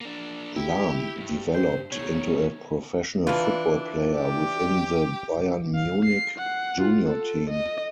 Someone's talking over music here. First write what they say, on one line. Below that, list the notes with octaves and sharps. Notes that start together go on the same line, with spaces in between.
Lahm developed into a professional football player within the Bayern Munich Junior Team.
A#3 D4
E4 G4
D2 G2
C5
B2 D#3 C#5
E3 D4 F4 B4 F5
G4
F5
C7
F#5
F4
A4
D#5